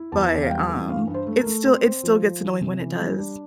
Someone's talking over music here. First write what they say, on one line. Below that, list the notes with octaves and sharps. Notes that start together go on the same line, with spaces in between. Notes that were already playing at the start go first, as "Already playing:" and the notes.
but, um, it still it still gets annoying when it does.
Already playing: E4
E2 A5
E2
F5
G3 G5
E3
G2 F5
G2
C5
A3
A#4
A3
C4 C5
C4
F3
F3
E3
C3
E3
G3
D4